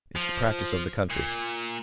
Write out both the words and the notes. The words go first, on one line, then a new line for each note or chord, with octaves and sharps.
It's the practice of the country.
F3
A#2